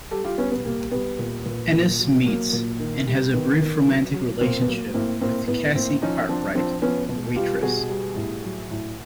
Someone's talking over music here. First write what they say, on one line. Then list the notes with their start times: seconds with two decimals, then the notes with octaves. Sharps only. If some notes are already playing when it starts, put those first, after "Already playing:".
Ennis meets and has a brief romantic relationship with Cassie Cartwright, a waitress.
0.11 G3 G4 A4
0.24 F4 G4
0.38 G3 B3 C#4
0.52 B3
0.64 G3 A#3
0.92 G3 B3
1.19 A#2
1.46 A#2
1.73 A#2
1.99 F#3
2.26 F#3 A#3
2.53 A#2
2.80 D#3
3.07 G3
3.34 D#3 B3
3.61 D#3
3.87 F#3
4.14 F#3
4.41 A#2 A#3 C4
4.61 B3
4.68 F#3 A#3
4.94 A2 A#3 C4
5.21 A2 A#3 C4
5.48 A2 B3
5.75 A2 A#3 C4
6.02 F3 C#4 D#4
6.29 F3 C4 D4
6.55 F3 C4 D4
6.82 F3 B3 C#4
7.09 B2
7.36 G3 F4 G4
7.63 B2 F#4 G#4
7.89 G3
8.16 A2
8.44 F#3
8.71 A2